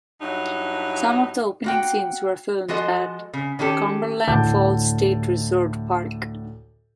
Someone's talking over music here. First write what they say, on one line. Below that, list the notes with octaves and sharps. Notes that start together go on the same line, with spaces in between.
Some of the opening scenes were filmed at Cumberland Falls State Resort Park.
G2 F#3 D#4 E4
A#3 F#4 G5
F3 G#3 F#4 A4 D#5
C#3
D#3 C#4 G4 A4
D2 A2 F#5 A5 D6 G6